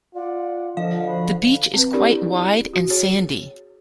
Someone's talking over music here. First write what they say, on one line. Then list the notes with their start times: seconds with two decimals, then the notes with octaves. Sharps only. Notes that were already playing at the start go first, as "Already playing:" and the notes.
The beach is quite wide and sandy.
0.14 F4 D5 F#5
0.77 D3 F3 A#4 D#5 F5 F#5
1.06 F#4 C5 B5
1.74 C4 B4
1.93 D4 E4 G4 G#4 A#4 D5
2.73 F#4
2.90 G#4 C#5